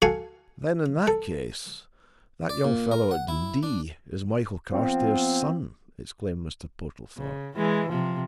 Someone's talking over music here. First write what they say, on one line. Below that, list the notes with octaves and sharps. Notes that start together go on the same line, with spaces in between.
"Then in that case--that young fellow at Dundee is Michael Carstairs' son?" exclaimed Mr. Portlethorpe.
F#4 A4 F5 G#5 C#6
A4
D5
A#2
A#4
F#5
E4
D4
F3 B3 C4
C#3
E3 G#3
C3 F3